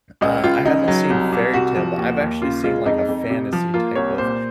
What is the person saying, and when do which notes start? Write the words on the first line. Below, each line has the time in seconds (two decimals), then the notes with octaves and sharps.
Uh, I haven't seen Fairytale, but I've actually seen, like, a fantasy type of
0.21 C#2 D#5
0.44 C#2 F4
0.65 C#3 D#4
0.88 F#3
1.10 C2
1.32 C2
1.54 C3 F#4
1.76 F3
1.98 D#2
2.20 D#2
2.42 C#3 F4
2.64 G#3 F4
2.86 F2 D#4
3.08 F2
3.30 C3
3.53 F3
3.74 A#3 F4
3.96 C2 C#5
4.18 A#2 C5